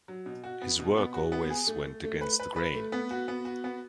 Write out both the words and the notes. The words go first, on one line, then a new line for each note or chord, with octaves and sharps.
His work always went against the grain.
F#3
B2
F#4
B3
B2
B3
F#4
B3
G#4
A3
A3
A3
B4
B4
B4
A3
B3
F#4
B3
F#4
B3